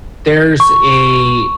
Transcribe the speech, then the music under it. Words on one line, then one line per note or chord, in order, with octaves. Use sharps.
there's a
C#6